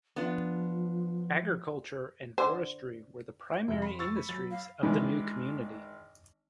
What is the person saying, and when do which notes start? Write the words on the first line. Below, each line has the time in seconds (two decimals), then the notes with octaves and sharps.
Agriculture and forestry were the primary industries of the new community.
0.16 F3 B3 D4 F4
2.38 D3 C5
3.68 F1 F2 E5
3.82 B5 C6
3.99 C#6 E6 A6
4.16 B5
4.29 F#3 A6
4.51 F5
4.83 G#1 G#2 D#3 E3 D4 B4